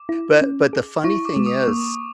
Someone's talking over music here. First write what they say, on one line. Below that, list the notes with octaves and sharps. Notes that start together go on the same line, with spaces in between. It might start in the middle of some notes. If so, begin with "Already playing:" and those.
but but the funny thing is
Already playing: D6
E4
C#4
G#4
E4 C#6
D6
G#3
D#6
A#3